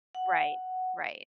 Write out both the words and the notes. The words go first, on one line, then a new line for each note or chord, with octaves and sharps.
Right. Right.
F#5